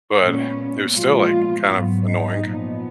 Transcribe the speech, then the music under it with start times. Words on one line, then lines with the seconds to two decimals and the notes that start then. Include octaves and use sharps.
but it was still, like, kind of annoying.
0.21 A#2 G#3 B3 C#4
0.94 A#2 F3 G#3 B3 F4
1.69 G#2 F#3 B3
2.05 D#4
2.42 A#2 F3 B3